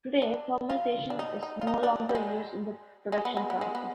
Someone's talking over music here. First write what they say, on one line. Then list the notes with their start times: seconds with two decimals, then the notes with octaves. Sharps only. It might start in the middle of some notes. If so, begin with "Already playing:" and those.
Today fermentation is no longer used in the production process.
0.22 D4
0.70 F4
1.10 D4
1.19 D#4
1.43 D#4
1.61 F4
1.67 D#4
1.83 D4
2.09 G3
2.15 G#3
3.12 G#3
3.25 B3
3.37 G#3
3.50 B3
3.61 G#3
3.75 B3